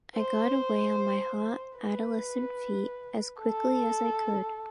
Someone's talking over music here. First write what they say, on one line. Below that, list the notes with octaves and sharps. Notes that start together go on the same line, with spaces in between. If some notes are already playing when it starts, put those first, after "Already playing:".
I got away on my hot adolescent feet as quickly as I could.
C5
B4
A4